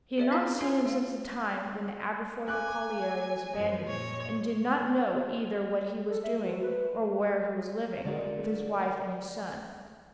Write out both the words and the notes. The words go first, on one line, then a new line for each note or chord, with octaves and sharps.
He had not seen him since the time when the Aberfoyle colliery was abandoned, and did not know either what he was doing or where he was living, with his wife and his son.
G#4 D5 E5
D4 E4 F4 F5 A5
C4 F4 G#4 C5 G#5 C6
A3 F5
G#5 D6 F#6
F#2 F3 D#5
A#2 C#5
A4
E5
F#4
B4
A3
D3 G#3 F#4 A#4 D5